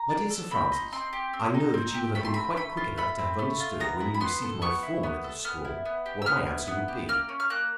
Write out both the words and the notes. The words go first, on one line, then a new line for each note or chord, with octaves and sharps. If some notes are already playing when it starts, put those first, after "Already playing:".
MY DEAR SIR FRANCIS,--I know that you will have been quite quick enough to have understood when you received my former little scrawl what my answer would be.
Already playing: A#5
D4
A4
C4 B5
D#4
C4 C6
G4
C4
D#4
C4
G4
A3 B5
C6
C4 B5
A3 B5
F4
A3 B5
C4
A3
F4
B3 A#5
E4
B5
B3 C6
A4
B3 C#6
E4
B3
A4
B3 F6
E4
B3
G4
E6
B3 F6
E4
B3
G4
A#3 F6
C#4
F6
A#3 F#6